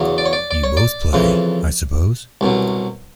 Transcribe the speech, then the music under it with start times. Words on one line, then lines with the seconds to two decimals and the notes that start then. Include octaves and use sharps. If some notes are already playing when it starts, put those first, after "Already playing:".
You both play, I suppose?
Already playing: E2 C#3 F#3
0.18 D5
0.26 C#5
0.33 D5
0.51 D5
0.64 C#5
0.77 D5
1.13 F2 C#3 E3
2.41 C2 B2 F#3